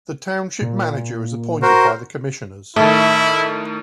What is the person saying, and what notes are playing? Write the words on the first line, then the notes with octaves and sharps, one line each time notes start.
The Township Manager is appointed by the Commissioners.
A#2
F#4 A#4 C5
A2 D#3 A3 E4